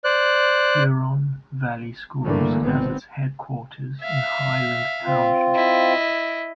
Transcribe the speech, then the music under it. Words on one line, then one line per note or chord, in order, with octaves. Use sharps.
Huron Valley Schools has its headquarters in Highland Township.
C5 D5 F#6
G2 D3 E3 A3 A#3
G#1 B3 C4
E5 F5
C4 F4
E4 D#5